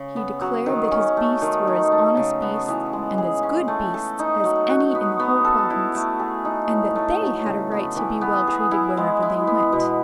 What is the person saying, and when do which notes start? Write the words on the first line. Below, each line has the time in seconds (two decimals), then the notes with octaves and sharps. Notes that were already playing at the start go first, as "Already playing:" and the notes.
He declared that his beasts were as honest beasts, and as good beasts, as any in the whole province; and that they had a right to be well treated wherever they went.
Already playing: C#3
0.16 B3
0.41 F#3
0.66 D#3
0.91 C#4
1.17 A3
1.42 D#3
1.67 D#4
1.92 A3
2.17 C#3
2.42 B3
2.68 E3
2.93 G#3
3.18 G#4
3.43 C#4
3.68 A3
3.94 A4
4.19 D#4
4.44 F#3
4.69 F#4
4.95 B3
5.20 B3
5.45 A4
5.70 E4
5.95 A3
6.19 G#4
6.45 D#4
6.70 A2
6.95 A3
7.21 F#3
7.46 C#3
7.71 B3
7.96 E3
8.21 B3
8.47 G#4
8.71 E4
8.97 G#3
9.22 E4
9.47 B3
9.72 B2